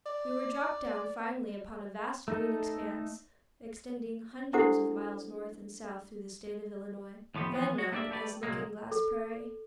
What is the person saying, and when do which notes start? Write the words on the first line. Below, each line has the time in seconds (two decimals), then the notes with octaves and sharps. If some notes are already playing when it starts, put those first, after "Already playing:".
We were dropped down finally upon a vast green expense, extending hundreds of miles north and south through the State of Illinois, then known as Looking-Glass Prairie.
0.06 D5
2.28 A3 D#4 A4
4.53 D4 E4 G4 A4 C5 F#5
7.35 D#2 A2 F3 B3 G4
7.52 E3 F3 B3
7.74 G#3 F#4
7.92 A#3 B3 D4 G4 D5 E5
8.11 A3 G4 B4 D5
8.43 C2 A#2 C#3 F#3 G#3 A#3
8.92 A4